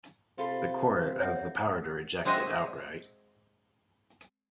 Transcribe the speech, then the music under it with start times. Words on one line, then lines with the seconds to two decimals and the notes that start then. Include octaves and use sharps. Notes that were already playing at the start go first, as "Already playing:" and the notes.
The court has the power to reject it outright.
0.38 C3 F4 A4 B5
1.20 C#5 E5 F#5
2.25 G#3 C4 F#4 G#4 D#5 E5